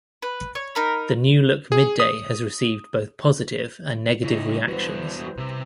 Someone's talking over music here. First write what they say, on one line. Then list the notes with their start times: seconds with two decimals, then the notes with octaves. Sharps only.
The new look Mid-Day has received both positive and negative reactions.
0.22 B4
0.55 C#5
0.75 D#4 A#4 B5
1.72 G#4
2.00 D#6
4.24 C#3 D#4 E4
4.50 G3
4.68 E2 F#4 B4 C5
5.38 C3